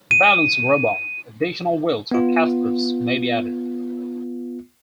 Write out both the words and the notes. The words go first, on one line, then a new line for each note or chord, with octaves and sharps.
To balance the robot, additional wheels or casters may be added.
D#7
B3 F4